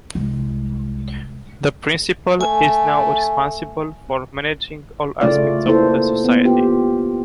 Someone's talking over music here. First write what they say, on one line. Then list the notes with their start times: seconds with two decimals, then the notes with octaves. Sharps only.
The Principal is now responsible for managing all aspects of the Society.
0.15 C2 G#3
2.41 A3 G#5
5.21 C#3 A3 F4 D5 F5
5.66 A#3 E4 A4 C5
6.24 B3
6.45 F4 G4